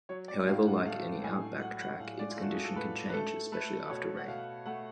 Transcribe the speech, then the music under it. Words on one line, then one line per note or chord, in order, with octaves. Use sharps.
However like any outback track, its condition can change, especially after rain.
F#3 C#5
D5
A2 F5
F#5
A3 F5
A2 G#5
F#3 F#5
F#5
A2 F5
D5
F4
A3 F#4
G#4
A4
A2 B4
B4
A3 A4
A3 B4
B2 C#5
F#5
B2 F5
A3 F#5